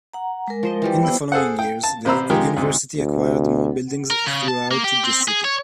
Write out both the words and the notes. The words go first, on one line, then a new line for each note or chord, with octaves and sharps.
In the following years, the university acquired more buildings throughout the city.
F#5 A#5
G#3 A#4
F3 C5 D#5
E3 F3 G3
B3 E4 C5
G#4 A4 C5 F#5
G5
A5
A1 C3 C5 A#5 B5 E6
D#3 F3 G#3 G4 A#4
D2 G#2 C3
D2
A#4
C#3
A5
A#3
G4
C4
G#4
C#5